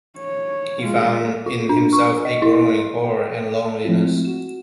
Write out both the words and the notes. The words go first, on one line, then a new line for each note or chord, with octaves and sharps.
He found in himself a growing horror and loneliness.
C#5
G#3 F4
F4
D4
C#6
D#5
E4
G5
D5 A5
F3 G#3 A3 C4 E4 F4
F#4 E7